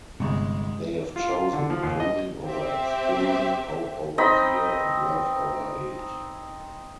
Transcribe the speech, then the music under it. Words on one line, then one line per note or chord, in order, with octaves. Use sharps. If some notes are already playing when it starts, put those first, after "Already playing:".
They have chosen inclusion over exclusion, hope over fear and love over hate.
G1 C3 G#3
F4
F4
D3
F3
D#2
D#5
C4 G4 E5
C4 D#4 D#5 B5